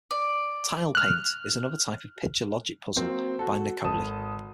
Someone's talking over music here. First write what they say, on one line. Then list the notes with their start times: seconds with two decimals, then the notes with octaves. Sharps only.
Tile Paint is another type of picture logic puzzle by Nikoli.
0.11 D5
0.95 F6 F#6
2.96 F#3 A#3 C4 C5
3.39 F#4 A4
3.84 G#1 A4 A5 D#6 E7